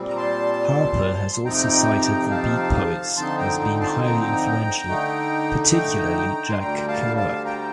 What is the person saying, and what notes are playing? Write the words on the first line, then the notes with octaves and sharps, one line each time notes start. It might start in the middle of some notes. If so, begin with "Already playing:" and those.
Harper has also cited the Beat poets as being highly influential, particularly Jack Kerouac.
Already playing: A#2 G3 C4
A#5
A5 C6
F2 C3 F3 C4 D#4 G5 A#5
F5 A5
D3 F3 C4 D#4 A5 C6
G5 A#5
G5 A#5
A5 C6
G5 A#5
D3 A3 D#4
G5 A#5
C6
D2 D3 G3 G5 A#5
F5 A5
F5 A5
G5 A#5